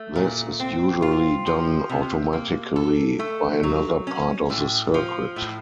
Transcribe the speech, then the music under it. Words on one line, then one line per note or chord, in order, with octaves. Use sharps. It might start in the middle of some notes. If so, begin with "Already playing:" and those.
This is usually done automatically by another part of the circuit.
Already playing: A3
A#2
C4
F4
F3
C3
A#3
A4
A3
F#3
C#4
A2
F3
A2